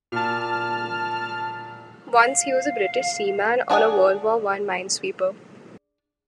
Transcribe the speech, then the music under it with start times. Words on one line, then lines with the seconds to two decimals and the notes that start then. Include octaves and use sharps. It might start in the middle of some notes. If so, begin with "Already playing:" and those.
Once he was a British seaman on a World War One mine sweeper.
0.12 A#2 A5 F6
2.15 F5
3.70 D4 G#4 F#5 G#5